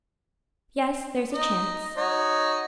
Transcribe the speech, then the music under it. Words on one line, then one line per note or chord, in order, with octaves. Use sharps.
"Yes, there's a chance."
D#4 D#5
D#4 F#4 C#5